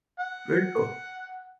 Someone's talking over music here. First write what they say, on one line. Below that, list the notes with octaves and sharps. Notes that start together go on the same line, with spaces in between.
Very cool.
F#5